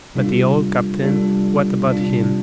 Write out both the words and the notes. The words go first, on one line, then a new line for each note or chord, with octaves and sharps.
But the old captain, what about him?
C3 G3 D4 F4 A4
C3 G3 D4 F4 A4
C3 G3 D4 F4